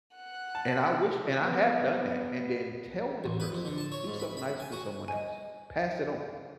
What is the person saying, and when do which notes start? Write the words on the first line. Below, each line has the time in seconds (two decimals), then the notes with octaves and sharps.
and I wish and I have done that, and then tell the person, "Do something nice for someone else. Pass it on.
0.15 F#5
0.55 A5
1.42 B3
3.24 A1
3.40 B4
3.52 F2
3.65 D3
3.78 A5
3.92 C#5
4.07 G#2
4.20 B5
4.37 B5
4.60 G#5
4.72 F#4
5.08 D#5 G#5